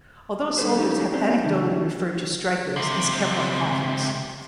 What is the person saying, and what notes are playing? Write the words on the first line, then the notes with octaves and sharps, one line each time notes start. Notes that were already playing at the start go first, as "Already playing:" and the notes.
Although soldiers have anecdotally referred to Strykers as Kevlar Coffins.
G3 A3 D4 A4 B4 C5
A3 A#3 C#4 D#4 G4
A#3 C4 D4 G4 C5
C#3 E3 D4
C#2 C3